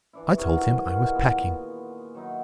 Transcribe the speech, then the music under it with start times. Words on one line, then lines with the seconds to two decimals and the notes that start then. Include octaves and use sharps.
I told him I was packing.
0.13 E3 D4 E4
0.38 C3 F#4 G#4 A#4
0.86 D#3 E3 F4 F#4
1.14 A#2 B3
2.14 D#3 F#3 D#4 E4